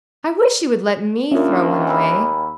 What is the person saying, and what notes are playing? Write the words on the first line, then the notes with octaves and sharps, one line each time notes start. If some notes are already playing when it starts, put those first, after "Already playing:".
"I wish you would let me throw one away."
D#2 C#4 D4 F4 A#4 E5
G#5 B5 E6